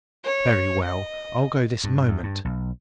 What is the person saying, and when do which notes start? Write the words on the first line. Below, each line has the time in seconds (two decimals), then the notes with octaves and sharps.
Very well, I'll go this moment.
0.24 C#5
0.85 D#5
1.84 G2
2.08 E2
2.23 G2
2.45 B1